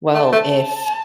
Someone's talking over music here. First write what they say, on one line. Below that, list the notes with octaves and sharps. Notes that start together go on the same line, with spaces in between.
"Well, if,
A3 A5
A3